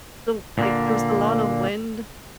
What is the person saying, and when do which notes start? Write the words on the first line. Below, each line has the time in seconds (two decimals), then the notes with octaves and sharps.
so, like, there was a lot of wind.
0.59 A#2 D3 A#3